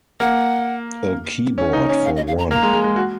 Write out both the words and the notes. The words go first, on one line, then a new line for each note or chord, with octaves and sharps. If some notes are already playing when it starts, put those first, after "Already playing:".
A keyboard for one.
A#3 F#5
C#4
D#4
C#4
F5
D#5
F5
A#5
A#3 A#5
G#3
G#3
G#3
F#4